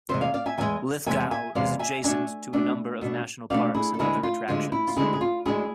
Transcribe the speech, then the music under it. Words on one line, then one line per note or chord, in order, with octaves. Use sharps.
Lithgow is adjacent to a number of national parks and other attractions.
E2 C3 G#3 C5 E5
D5 F5
D5 F5
E5 G#5
E2 C3 G#3 E5 G#5
E2 C3 G#3 E5 G#5
E5 G#5
E2 C3 G#3 D5 F5
E5 G#5
B2 A3 D4 E5 G#5
B2 A3 D4
B2 A3 D4
B2 A3 D4 D5 F5
E4 G#4
A4
D2 D3 G#3 D4 E4 G#4
F4
D2 D3 G#3 D4 F4
E4
F4
D2 D3 G#3 D4 E4 G#4
G#4
F4
D2 D3 G#3 D4 E4 G#4